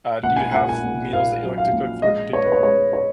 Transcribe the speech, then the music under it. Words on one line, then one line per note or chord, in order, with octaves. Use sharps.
uh, do you have meals that you like to cook for people?
A#1 F#5
G#5
A#2 F#5
G#5
A#1
A#2 F5
F#3
F5
A#1
G#3 D#5
B3 C#5
B4
C#5
G#3 C#5
C#5